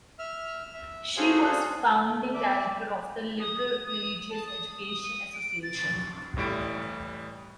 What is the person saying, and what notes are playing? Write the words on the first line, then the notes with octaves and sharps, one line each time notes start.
She was founding director of the Liberal Religious Education Association.
E5 F6
E5
F#4 G#4 A4 C5 C#5 F5
A3
D5 E5
D#6
D#6
A5
D#6
D#6
D#7
D7
A6
A1 A2 G3 D7